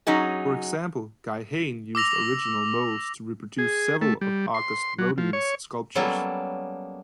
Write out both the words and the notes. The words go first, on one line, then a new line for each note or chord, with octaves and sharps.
For example, Guy Hain used original molds to reproduce several of Auguste Rodin's sculptures.
F#3 C#4 D#4 G#4
D6 E6 A#6 F7
G#4
A3
G3
C6
F#3
F3
C#5
F#3 G3 A#3 B3 C#4 A4